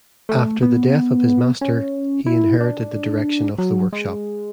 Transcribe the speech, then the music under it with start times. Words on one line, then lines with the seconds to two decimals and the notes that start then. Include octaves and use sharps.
After the death of his master, he inherited the direction of the workshop.
0.29 A3
0.63 B3
1.61 C#4
2.26 E4
2.60 D4
3.58 F#3
3.93 G#3